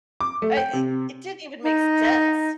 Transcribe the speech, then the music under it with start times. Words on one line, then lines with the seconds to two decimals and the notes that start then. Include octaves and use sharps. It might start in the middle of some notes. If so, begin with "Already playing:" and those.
I it it didn't even make sense.
0.21 D6
0.42 A3
0.57 G5
0.73 C3
1.63 D#4